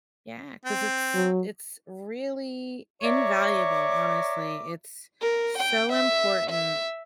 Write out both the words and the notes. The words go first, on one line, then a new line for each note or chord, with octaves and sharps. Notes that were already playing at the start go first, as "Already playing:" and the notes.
yeah, ‘cause it's it's really invaluable, honestly, it's so important.
C4
F#3
C#5 D5 E5 A#5 C#6 D6
A#4
G5
E5
E5